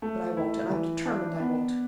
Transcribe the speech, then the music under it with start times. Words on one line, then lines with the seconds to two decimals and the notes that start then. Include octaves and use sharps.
But I won't . . . and I'm determined I won't.
0.02 A3
0.37 E4
0.70 E3
1.05 D4
1.40 B3